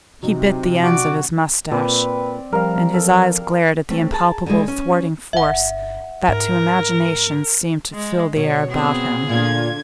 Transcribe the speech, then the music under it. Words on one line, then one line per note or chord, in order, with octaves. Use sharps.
He bit the ends of his moustache, and his eyes glared at the impalpable thwarting force that to imagination seemed to fill the air about him.
C3 F#3 D#4
F#4 D5
A#2 C4 B4 D5
F3 G3 A#4 F5
A4
A3 C4 C#4
G#4 A#4 A5
D3 E3 F#3 G#3
C#4
G1 E5 F#5
G#2 A#4
G#3
B2 C#5
B3 C4 G#4
A#2 D3 F4 G#6